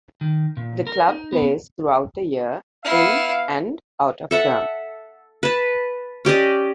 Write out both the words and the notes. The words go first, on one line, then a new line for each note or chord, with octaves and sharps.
The club plays throughout the year in and out of term.
D#3
A#2
A#4
D#4
B3
B3 E4 F5
A4 E5 F#5
B4 A5
C#4 G4 D5 D#5